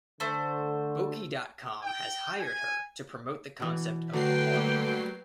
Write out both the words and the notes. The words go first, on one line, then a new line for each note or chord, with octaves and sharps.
Bokee dot com has hired her to promote the concept of blogging.
D3 A3 C5
G5
G#5
B2 E3
D3 F#3 A3 F#4 B4 G5 C7
G3 A3 A#3